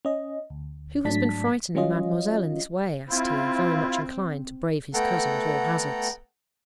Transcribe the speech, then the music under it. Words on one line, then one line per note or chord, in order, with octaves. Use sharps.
'Who has been frightening mademoiselle in this way?' asked he, very much inclined to brave his cousin at all hazards.
C#4 D#5
D2
G#2 F#3 A3 D4 A5 B6
F#3 G3 C#4 F4 D#5
C4 E4 F4
A3 B3 A4 F#5 G5 A#5